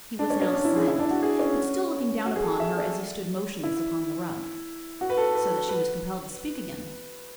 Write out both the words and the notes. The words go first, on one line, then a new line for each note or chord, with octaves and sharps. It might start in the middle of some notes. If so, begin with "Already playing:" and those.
He was now silent, but still looking down upon her as he stood motionless upon the rug,--so that she was compelled to speak again.
D4
C#4
C#4
D4
E4
G#4
E4
D4
F#4
G#4
C#4
F#4
G#4
A4
E5
D5
E4
F#4
B4
A4
B4
B4